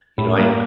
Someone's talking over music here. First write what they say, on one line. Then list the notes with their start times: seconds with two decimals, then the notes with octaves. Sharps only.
You know, I
0.18 A2 E4
0.38 G3 A#3